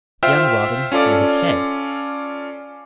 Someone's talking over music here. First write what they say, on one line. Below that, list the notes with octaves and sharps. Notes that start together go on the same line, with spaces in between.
Young Robin hung his head.
F4 C5 E5 G5 F6
C#4 F4 A4 D5 D6